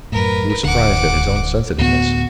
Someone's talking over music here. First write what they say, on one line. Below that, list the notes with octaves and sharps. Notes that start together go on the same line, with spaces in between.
He was surprised at his own sensitiveness.
F#2 A2 A#4 B4
D1 D3 F#5 D6
D2 A2 B3 F#4